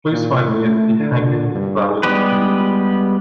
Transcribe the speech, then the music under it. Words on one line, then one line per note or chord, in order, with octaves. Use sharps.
Please find me The Hanging Valley movie.
A#2
A3
D3
G2
G3 G#3 B3 G4 B4